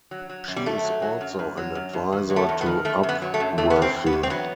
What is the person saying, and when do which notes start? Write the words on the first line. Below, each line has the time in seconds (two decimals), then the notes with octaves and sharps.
She is also an advisor to Upworthy.
0.11 F#3
0.30 F#3
0.48 F#2
0.56 G3
0.66 F#2 A3
0.84 F#3
1.02 F#3
1.21 F#2
1.39 F#2
1.57 F#3
1.75 F#2
1.93 F#2
2.12 E2
2.30 F#3
2.36 A3
2.49 E2
2.61 B3
2.66 D#3
2.85 F#2 A3
3.03 F#2
3.09 B3
3.22 F#3
3.34 A3
3.40 F#2
3.58 E2 A3
3.70 B3
3.76 E2
3.82 C4
3.94 E2
4.06 B3
4.13 E2
4.23 C4
4.30 F#3 B3